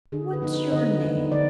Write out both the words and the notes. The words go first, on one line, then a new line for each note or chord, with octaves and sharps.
"What's your name?"
D3 G#4
B4
F3 B3 D#4
B4
D3 D#5
F3 B3 D#4
D3 D5